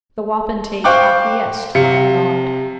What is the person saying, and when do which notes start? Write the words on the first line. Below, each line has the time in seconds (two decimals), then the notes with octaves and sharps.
The wapentake acquiesced by a nod.
0.84 C5 F5 G5 C#6 D6 F#6
1.75 C3 F5 C#7